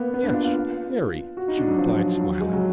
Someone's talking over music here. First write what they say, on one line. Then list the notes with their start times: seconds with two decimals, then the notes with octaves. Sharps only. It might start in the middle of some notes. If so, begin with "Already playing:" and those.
"Yes--very," she replied, smiling.
Already playing: A#3 B3
0.14 B3
0.23 D4
0.34 F4
0.45 F4
1.37 F#4
1.48 D#4
1.58 D4
1.68 F#3
1.78 F3
1.99 F3
2.19 F#3
2.40 G#3
2.53 F#3